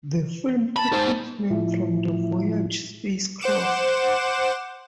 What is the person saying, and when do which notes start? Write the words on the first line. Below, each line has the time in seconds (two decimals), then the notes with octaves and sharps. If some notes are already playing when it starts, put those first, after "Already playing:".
The firm took its name from the Voyager space craft.
0.76 A5 B5
0.93 D#4 C5
1.50 A2 F3 E4
3.41 C5 F#5 D6 E7